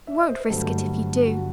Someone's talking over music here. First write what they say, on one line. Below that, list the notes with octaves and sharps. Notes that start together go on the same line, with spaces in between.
'You won't risk it if you do.
E5
D#5
C5
B4
G1 G2 F#3 A3 A4
F#3 F#4